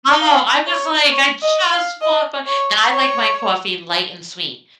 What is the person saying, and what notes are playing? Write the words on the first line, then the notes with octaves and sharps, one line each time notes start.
Oh, I'm just like, "I just want my" and I like my coffee light and sweet,
F5
C#5
C#5
D#5
F5
D#5
C#5
C#5